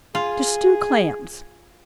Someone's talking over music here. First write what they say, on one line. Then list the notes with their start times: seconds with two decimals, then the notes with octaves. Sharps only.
To Stew Clams.
0.15 F4 G#4